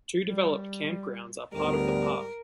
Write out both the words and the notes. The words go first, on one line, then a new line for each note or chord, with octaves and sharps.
Two developed campgrounds are part of the park.
G3
D2 G#2 G3 B3 A#4